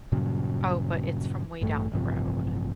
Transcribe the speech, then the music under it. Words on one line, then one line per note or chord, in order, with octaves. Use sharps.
Oh, but it's from way down the road.
G2 A#2 C#3 F#3
A1 G2 A3
A1 G2 C3 F3